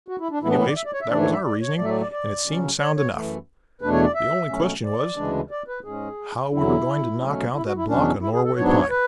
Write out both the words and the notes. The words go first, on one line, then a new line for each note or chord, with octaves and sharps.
Anyway, that was our reasoning, and it seemed sound enough; the only question was how we were going to knock out that block of Norway pine.
F#4
E4
D4
A2 E3 B3 E4
D4
E4
D5
E5
D5
C#5
E5
G#2 E3 A3 D4 D5
C#5
E5
D5
C#5
A2 F#3 A3 D5
E5
D5
D5
D5
C#3 F#3 C#4
C#5
C#5
F#2 E3 A3
E2 B2 A3 D4 B4
C#5
D5
E5
B2 F#3 A3 C#4
D5
D2 C#3 E3 G#3 D4
D5
B4
G#2 G#3 C#4 G#4
E2 D3 F#3 E4
B2 F#3 A3 C#4
E4
F#4
E4
E2 B2 F#3 C#4 D4
E4
G#4
A4
G#2 F#3 B3 D4 C#5
C#5
C#5
B4